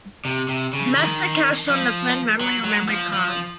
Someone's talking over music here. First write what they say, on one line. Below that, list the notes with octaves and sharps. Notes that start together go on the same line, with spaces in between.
Maps are cached on the phone memory or memorycard.
C3
C3
C#3
D#3
F3
F#3
F#3
F3
F3